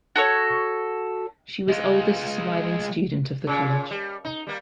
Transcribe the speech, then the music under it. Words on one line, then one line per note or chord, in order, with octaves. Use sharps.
She was oldest surviving student of the college.
F#4 A4 C#5
G#3 F4
A#2 C#3
G3
D#4
G3 A#3